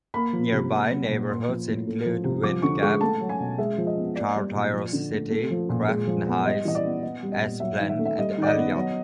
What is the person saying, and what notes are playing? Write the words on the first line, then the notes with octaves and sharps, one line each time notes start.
Nearby neighborhoods include Windgap, Chartiers City, Crafton Heights, Esplen, and Elliott.
A#3 B5
F3
C3
A#3
F#3
A#2
A#3 C6
F3
A2
A3
F3
C3
F3 D6
D3 C#6
G#3 C#6
A3 A5
F#3
G#5
B2
G#3 E5
F3
D#5
B3
A#3 D5
G3
A#2
F3
D3
A3
A3
F3
A#2
G#3
F3
B3
G3 D#5
E3 D#5
D5
B3
B3 D#5
G3
D#5
A#2
F#3 E5
D#3
E5
A3
E5
G3 D#5
D#3 D5
D#5
B3
F#3